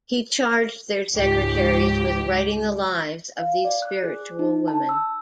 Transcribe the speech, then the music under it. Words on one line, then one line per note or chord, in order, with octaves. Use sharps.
He charged their secretaries with writing the lives of these spiritual women.
C#2 G#2 G4
F5
D5
F#6
G#4
D#4
A5
E6